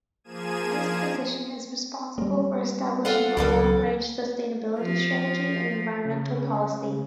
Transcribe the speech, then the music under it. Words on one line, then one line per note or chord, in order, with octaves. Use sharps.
This position is responsible for establishing a long-range sustainability strategy and environmental policy.
F3 A#3 G#4 G#6 D#7 E7
G3 A#3
F4 A4 F#5
C#2 E3 F#3 C#4 A4
F3
C#3